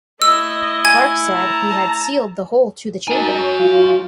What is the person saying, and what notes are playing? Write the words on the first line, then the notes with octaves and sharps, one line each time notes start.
Clark said he had sealed the hole to the chamber.
A3 E4 D#5 E6
G#5 G#6
A5 A#5
D#4 F#4 A#4 G#5 A5
C#5
F#3 F4